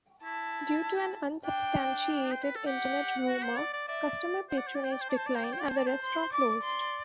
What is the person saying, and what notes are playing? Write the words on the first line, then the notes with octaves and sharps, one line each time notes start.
Due to an unsubstantiated internet rumor, customer patronage declined and the restaurant closed.
E4 A5
D4 G5
C5
B4
A4
G4 F#5
F#4
C5
D5
D5
D5 E5
C5 F#5
D5
C5
D5
C5 G5
D5
C5
D5 A5
C5
D5
C5
D5 G5
C5
D5
C5 A5
D5
C5
C6
D5 D6
C6